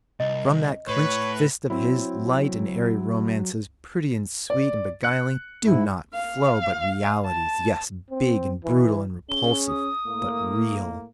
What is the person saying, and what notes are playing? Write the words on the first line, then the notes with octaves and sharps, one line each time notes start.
From that clenched fist of his, light and airy romances, pretty and sweet and beguiling, do not flow, but realities--yes, big and brutal and repulsive, but real.
C2 D#5
A2 B4 C#5
F#3 C4 E4
D5
F#6 C#7
G#2 E4
F5
A5
C4
E3
C#4 G#4 G7
D#6
A2 A#3